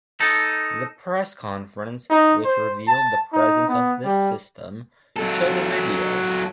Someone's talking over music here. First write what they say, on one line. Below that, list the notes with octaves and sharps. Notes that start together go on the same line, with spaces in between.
The press conference, which revealed the presence of this system, showed a video.
D#4 A4
D#4
C5
A5
D#4
B3
G3
F#3 A4